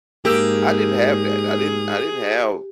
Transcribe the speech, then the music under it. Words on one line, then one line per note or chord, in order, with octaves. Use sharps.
I didn't have that I didn't I didn't have
G#2 A#3 G4 G#4 E6